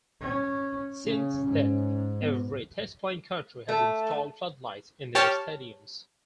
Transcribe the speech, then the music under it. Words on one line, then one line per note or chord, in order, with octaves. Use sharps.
Since then every test playing country has installed floodlights in their stadiums.
C#4
C#3 C#4
G#2
B3
A3
G4 C#5 A5 F6